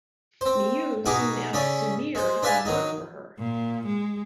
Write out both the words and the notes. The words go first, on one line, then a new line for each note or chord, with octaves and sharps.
Miu soon asks Sumire to come work for her.
C4 C5
B2 D#4 F#4 G#4 D6
C#3 A3 C#4 D5
G#3 C5
D4 B4 E5 F5 G#5 A5
D#3 F#3 D#4
A#2
G#3